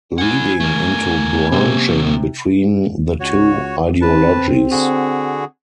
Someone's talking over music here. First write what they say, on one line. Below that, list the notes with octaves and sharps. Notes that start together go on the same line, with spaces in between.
Leading into branching between the two ideologies.
E4 F#5 G#5
A3 A#4
C3 A#3 C#4
C#2 F#4 C#5
C4 B4 A5
D3 F#4 G#4